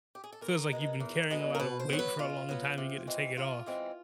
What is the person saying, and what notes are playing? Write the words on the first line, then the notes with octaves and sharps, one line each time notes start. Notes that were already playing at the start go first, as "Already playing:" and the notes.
feels like you've been carrying a lotta weight for a long time and you get to take it off.
G4
G#4
A4
E2 A#4
B2 G#3 B3
E2
B2 G#3 B3
A#4
B2 B4
C5
F#3 B3
B4
B2 F4
F#3 B3
C3
E3 G#3 C4
C3 F4
E3 G#3 C4